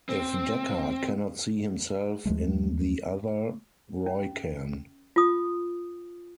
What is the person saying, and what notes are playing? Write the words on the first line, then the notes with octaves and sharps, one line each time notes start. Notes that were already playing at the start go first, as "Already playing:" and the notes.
If Deckard cannot see himself in the other, Roy can.
C4
D#2 F3 G#3 A3
C#4
F4 D#6